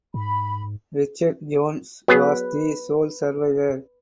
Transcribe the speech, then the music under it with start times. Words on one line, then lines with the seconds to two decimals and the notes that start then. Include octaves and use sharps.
Richard Jones was the sole survivor.
0.14 G#2 B5
2.08 F#3 B3 G#4 B4